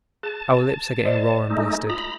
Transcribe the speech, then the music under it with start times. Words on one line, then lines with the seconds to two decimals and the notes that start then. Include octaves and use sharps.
Our lips are getting raw and blistered.
0.23 G#4 A5
1.05 C5 D5 D#5
1.50 G#3 A3 D#4
1.89 F4 A#5 B5